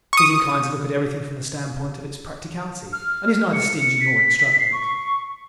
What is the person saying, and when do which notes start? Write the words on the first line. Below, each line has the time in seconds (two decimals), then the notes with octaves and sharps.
He is inclined to look at everything from the standpoint of its practicality and is neither stingy nor extravagant.
0.13 C#6 D#6
2.93 F6
3.53 C#7
4.00 B6
4.59 C7
4.73 C#6